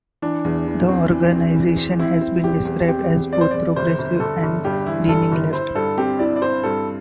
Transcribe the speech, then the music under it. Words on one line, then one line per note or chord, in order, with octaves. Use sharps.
The organization has been described as both progressive and leaning left.
E3 D4
E2
E3
C4
E3
C4
E3
C4
C4 E4
C4
E2 G4
E2
C4 G4
E2
C4 D5
C5
E2 D5
G1 C5
G1
G1 A4
G1
G2 G4
E3 E4
G2 A4
G1
E4 C5
G2 A4
C4 G4
E4 D5
D5
E4 C5
G2 A4